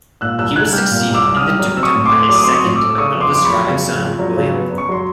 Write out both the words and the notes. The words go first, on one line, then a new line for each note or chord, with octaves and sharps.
He was succeeded in the dukedom by his second but eldest surviving son, William.
A#2 E6 F#6
C2 E6 F#6
C2 F#6 G#6
G3 F6 G6
A#2
C2
D6 E6
C2
D#6 F6
G3
F#3
C4 E6
C#6 D#6
A2
C6 D6
A3
F#3 D6
D#6
C4 C6 D6
C#6 D#6
A2
D6 E6
A3
E6
C#3 C#6 D#6
F2
C6 D6
F2 D6
B5 C#6
F#3
C#3
F2
F2
F#3
C#3
B3
F#2
C#6
F#3 C6